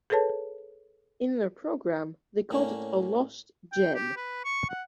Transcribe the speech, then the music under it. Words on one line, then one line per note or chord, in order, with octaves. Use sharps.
In their program they called it a lost gem.
G#4 A4 B4 C#5 A5
A2 A#3 C#4 D4
G5
G4
B4
C#6
F#5